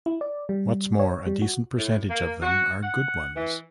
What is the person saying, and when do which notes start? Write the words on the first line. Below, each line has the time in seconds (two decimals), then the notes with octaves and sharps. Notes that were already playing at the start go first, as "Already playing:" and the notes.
What's more, a decent percentage of them are good ones.
0.06 E4
0.21 D5
0.49 G3
0.99 C#5
1.26 G3
1.42 F#4
1.79 A2
2.10 A#3
2.42 F#4
2.83 F#5
3.36 E3